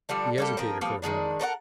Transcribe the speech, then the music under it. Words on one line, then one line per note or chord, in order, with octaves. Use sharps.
He hesitated for a moment.
D3 F3 G3 D4
G3 A#3 A4
F3 C4 A#4 G5
F3 G3 A#3 B3
D#3 E3 G#3 D4
A4 A#4 C#5 F#5